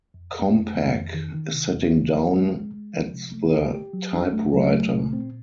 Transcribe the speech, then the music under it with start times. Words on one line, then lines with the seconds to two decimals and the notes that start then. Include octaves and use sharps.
Compaq is sitting down at the typewriter.
0.14 F2
0.34 F2
0.54 F2
0.75 D#3
0.94 F2
1.14 D#3
1.34 D#3
1.54 C3
1.74 E2
1.94 E2
2.14 F3
2.33 G#3
2.53 G#3
2.74 G#3
2.94 F3
3.13 C3
3.34 A3
3.53 G4
3.73 G4
3.93 F#3
4.14 D4
4.33 A3
4.53 F#3
4.73 A3
4.93 A#2
5.13 C4